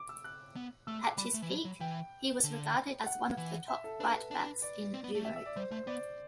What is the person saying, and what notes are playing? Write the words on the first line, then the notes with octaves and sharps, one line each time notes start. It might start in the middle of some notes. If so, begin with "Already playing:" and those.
At his peak he was regarded as one of the top right-backs in Europe.
Already playing: D6
E6
F#6
B3
A3 E6
D6
G3 B5
A3
E3
F#3
F#3
E3 G5
D3
F#5
E3
E5
A4
D4 B4
D4
D5
C4
B3
A3
E5
E5
D5
G3 C5
A3 C5
B3 D5